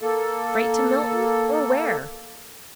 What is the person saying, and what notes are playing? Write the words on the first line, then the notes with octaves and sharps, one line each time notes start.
Straight to Milton, or where?
A#3 A4